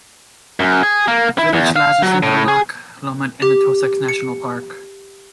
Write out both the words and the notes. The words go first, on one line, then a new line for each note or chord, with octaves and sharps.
The village lies within the Loch Lomond and The Trossachs National Park.
F#2
G#4
A#3
E4
E2
F5
F#3
A2
G#4
G4
C#7